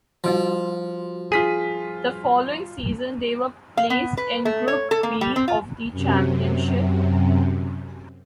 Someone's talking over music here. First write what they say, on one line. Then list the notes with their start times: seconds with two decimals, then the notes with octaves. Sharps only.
The following season they were placed in Group B of the championship.
0.24 F3 G3 F#4 C6
1.32 F4 G#4 B6 D#7
3.77 F5
3.90 B3
4.17 B4
4.45 A3
4.68 C#5
4.91 A4
5.03 A#3
5.21 G3
5.36 C4
5.48 F4
5.91 F#2 C3